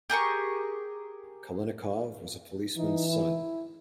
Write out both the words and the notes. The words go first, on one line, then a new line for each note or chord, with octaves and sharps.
Kalinnikov was a policeman's son.
G4 G#4 A#4 C#6
E3 D#4
E4